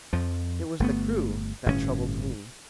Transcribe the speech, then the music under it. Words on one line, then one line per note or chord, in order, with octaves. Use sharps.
It was the crew that troubled me.
F2 F3
G1 A3 B3
G1 A2 D3 C#4